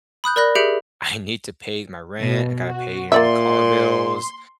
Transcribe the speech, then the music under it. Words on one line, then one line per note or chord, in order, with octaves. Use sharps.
I need to pay my rent. I gotta pay, you know, the car bills.
B5 D#6 F#6 G6
A#4 D5 B5 F#6 A#6
G4 G#4 E5 G6 C#7 D7
B2
F#4
A#2 A#3 D5 E5 C6